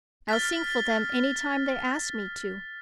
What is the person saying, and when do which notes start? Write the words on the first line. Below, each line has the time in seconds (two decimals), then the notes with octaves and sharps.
I'll sing for them any time they ask me to.
0.29 F6 A6 B6